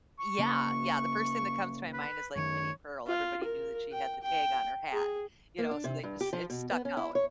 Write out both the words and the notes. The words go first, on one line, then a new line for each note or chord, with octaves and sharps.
Yeah, yeah, the first thing that comes to my mind is like Minnie Pearl, everybody knew that she had the tag on her hat, you know so they just it stuck out.
C#6
C#3 A#3
B4
F#2 D#3 C#5
F4
A#4
G5
G5
G#4
A#3
D4
C3
G2
G4
F3
B2
B3
C#4
E4
C#5